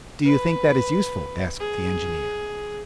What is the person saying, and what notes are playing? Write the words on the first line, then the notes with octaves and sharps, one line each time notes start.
"Do you think that is useful?" asked the engineer.
B4
G#4